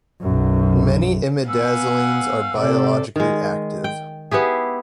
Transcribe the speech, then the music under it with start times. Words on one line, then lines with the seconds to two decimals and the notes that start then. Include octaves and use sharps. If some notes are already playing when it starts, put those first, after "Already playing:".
Many imidazolines are biologically active.
0.21 B1 F#2
1.48 B3 F5 F#5 G#5 E6
2.57 C3 A4 D5
3.16 D#3 G#3
3.84 G5
4.31 B3 E4 G4 G#4